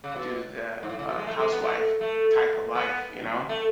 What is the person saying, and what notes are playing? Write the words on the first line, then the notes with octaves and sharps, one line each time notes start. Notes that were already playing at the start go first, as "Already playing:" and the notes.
do the, uh, housewife type of life, you know?
C#3
B2
G#2
A2
C#3
B2
G#3
A3
G#3
B3
A3
A3
B3
A3